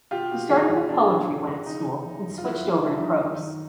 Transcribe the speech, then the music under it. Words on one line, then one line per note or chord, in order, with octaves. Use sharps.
He started with poetry when at school and switched over to prose.
B2 F4 G4
B2
E2 F#4 G#4
E2
B2 D4
E2
E2
E2
C#3 D#4
C#3
E3
F#2
F4
F#2 E4 F#4
F#2
F#2 D4 E4
F#2 D#4
D#3 D#4
D#3